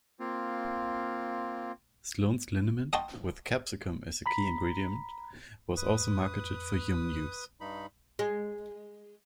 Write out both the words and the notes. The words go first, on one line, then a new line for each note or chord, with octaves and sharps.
Sloan's liniment, with capsicum as a key ingredient, was also marketed for human use.
A#3 C4 F4
D#5 F#5 G5 A5 C6 C#6
A#5 B5 B6
F2 B4 D#6
G2 D#4 B5
G#3